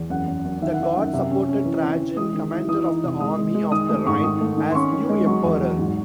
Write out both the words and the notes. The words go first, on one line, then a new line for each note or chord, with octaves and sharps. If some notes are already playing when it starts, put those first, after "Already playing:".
The Guard supported Trajan, commander of the Army of the Rhine, as new emperor.
Already playing: E2
F#2 F#5
F#2
F#2
D#3 E5
F#5
D#3 E5
F#2
C3 E5
C#4
C#4
E3
C4
E3
G#3 D#6
D#3
E4
E3 D#6
D#4
C3
G#3 D#6
G#3
G#3
D#3 D#6
A3 D#6
G#2 C#6
D#3 D#6
A3
D#3
C6
C#4 C#6
D#3
G#3
F#3 C#6
E2
F#3
G#2